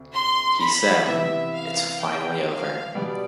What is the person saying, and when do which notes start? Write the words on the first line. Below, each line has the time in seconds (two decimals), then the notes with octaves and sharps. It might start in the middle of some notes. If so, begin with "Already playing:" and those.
He said, It's finally over.
Already playing: D2 C3
0.14 C6
0.60 B5
1.07 C3 E3 B3 E4 E5
1.53 F5
2.01 G5
2.47 F5
2.94 B2 G3 B3 D5